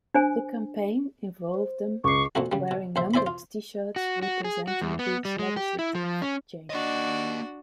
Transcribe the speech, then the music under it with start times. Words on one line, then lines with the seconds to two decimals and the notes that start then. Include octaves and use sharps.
The campaign involved them wearing numbered T-shirts representing each legislative change.
0.15 D4 C5 G#5
1.54 C5
2.04 C#2 C#6 D6 C7
2.35 F2 A#2 A3 F#4
2.52 C#3 G3
2.71 B2
2.96 A#1 C5 E5
3.14 C5 D5 E5 G#5 B5
3.27 F4
3.96 F#4
4.23 F#4
4.44 G#4
4.68 F#4
4.82 E2
4.99 B3
5.25 G3
5.39 G#3
5.56 G4
5.79 E4
5.95 F3
6.22 C#4
6.70 A#3 D4 F#4 D#5